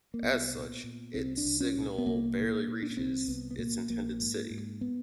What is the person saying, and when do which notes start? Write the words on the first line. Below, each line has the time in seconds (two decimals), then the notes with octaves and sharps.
As such, its signal barely reaches its intended city.
0.14 A#3
0.23 C2 B3
0.54 A#2
0.84 A#2
1.14 C2 C4
1.37 D4
1.45 C2
1.60 C#4
1.75 A#2
1.98 B3
2.06 C2 A#3
2.37 A#2
2.67 A#2
2.82 D4
2.90 C#4
2.97 C2 C4
3.28 C2 B3
3.51 B3
3.59 A#2 A#3
3.89 A#1 A#3
4.20 G#2
4.50 G#2
4.81 B3